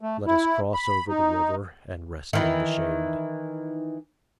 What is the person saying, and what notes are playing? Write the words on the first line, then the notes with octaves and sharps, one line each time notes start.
"Let us cross over the river and rest in the shade."
A3
E4
B5
D#4
D#3 E3